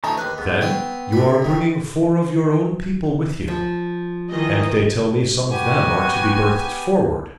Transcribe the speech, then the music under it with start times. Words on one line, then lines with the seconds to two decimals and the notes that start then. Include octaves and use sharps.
Then, you are bringing four of your own people with you, and they tell me some of them are to be berthed forward.
0.04 D2 E3 D#4 C#5 A5 A#5
0.18 D#2 B4 F5 F#6
0.38 G#2 B3
0.61 C4 C#5 C6
1.13 D3 B4
1.42 G2 D#3
3.48 F3
4.30 D#3 E3 D#5
5.51 B3 F#4 G4 G#5